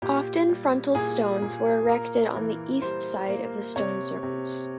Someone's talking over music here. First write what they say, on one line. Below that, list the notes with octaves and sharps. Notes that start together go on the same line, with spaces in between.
Often frontal stones were erected on the East side of the stone circles.
A#2 G4
G3
A#2 G#4
A#2
A#3 A#4
E3
G3 C5
A#3
C3 C#5
C3